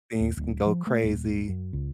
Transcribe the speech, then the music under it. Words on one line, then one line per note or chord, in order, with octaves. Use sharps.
things can go crazy,
D#2
D1
F3
A3
D#1
F#2
C#2